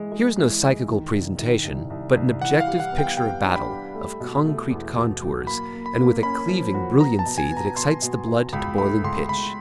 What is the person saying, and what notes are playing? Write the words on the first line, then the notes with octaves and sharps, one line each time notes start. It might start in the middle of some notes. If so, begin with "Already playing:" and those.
Here is no psychical presentation, but an objective picture of battle, of concrete contours, and with a cleaving brilliancy that excites the blood to boiling pitch.
Already playing: E3 G#3
G#3
E3
G#3
D#3
C2
D#3
C2
C2
C2
E3 F#5
F5
G3
F#5
B3
G5
G3 G5
D4
B5
G3
A3
B2
A3
E2
B2
F#3
A#3 B5
A#3
B5
A#3
C#4 B5
F3
F#4
B3 A#5
A5
B2
G#5
B3
A#5
B2 C6
B2
B2
C#2 B5
A3 B5
C#2 C6
C#2 B5